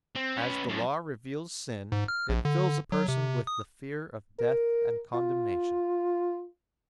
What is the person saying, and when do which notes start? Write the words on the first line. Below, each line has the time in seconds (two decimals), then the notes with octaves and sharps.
As the Law reveals sin it fills a person with the fear of death and condemnation.
0.15 C4
0.38 C#4 B4
0.69 F#2 F3
1.92 G#2
2.08 F6
2.29 A#1
2.45 D3
2.92 F#3
3.08 C3
3.47 D#6
4.39 A#4
5.14 F4